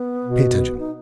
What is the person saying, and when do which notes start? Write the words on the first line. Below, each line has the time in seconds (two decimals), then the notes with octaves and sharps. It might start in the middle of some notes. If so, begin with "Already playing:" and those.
Pay attention!
Already playing: B3
0.24 B2
0.79 D#4